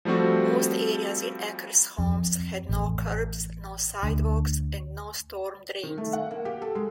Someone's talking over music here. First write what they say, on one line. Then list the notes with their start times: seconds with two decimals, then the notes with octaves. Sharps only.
Most areas in Acres Homes had no curbs, no sidewalks, and no storm drains.
0.05 F3 G3 A3 C4 F#4
1.99 F2
2.69 A1
4.03 D2
5.83 D#3
5.98 A3
6.13 F#5
6.31 A#3
6.45 G4
6.62 A4
6.75 G#3